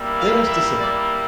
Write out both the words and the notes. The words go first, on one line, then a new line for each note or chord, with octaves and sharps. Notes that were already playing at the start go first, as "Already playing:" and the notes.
Let us descend.
Already playing: G3 A#3 E4
F5
E5
D5